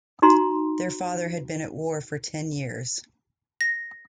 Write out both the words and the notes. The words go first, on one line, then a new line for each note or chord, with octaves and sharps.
Their father has been at war for ten years.
D#4 F#4 A#5 C6
A#6